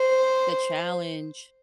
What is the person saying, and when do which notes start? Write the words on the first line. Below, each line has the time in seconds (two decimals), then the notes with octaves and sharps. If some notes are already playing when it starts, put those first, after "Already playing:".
The challenge.
Already playing: C5